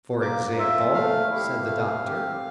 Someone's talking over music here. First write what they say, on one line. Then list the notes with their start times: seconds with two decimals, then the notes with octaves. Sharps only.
"For example?" said the Doctor.
0.22 A#3 D6
0.58 F4 E5
0.94 A3 F5
1.30 E4 G4
1.67 A3
2.03 C4 G4